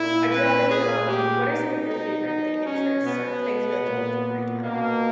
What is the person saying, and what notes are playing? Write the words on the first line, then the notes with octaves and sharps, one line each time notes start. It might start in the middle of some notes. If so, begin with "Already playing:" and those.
Uh, do you have any, um, what are some of your favorite, like, interests or things you like to do with your free time?
Already playing: A#2 E4
B4
A#2 G#4
G4
B2 D#4
D#4
B2 D#4
C#4
B2 B3
A#2
B2 A#3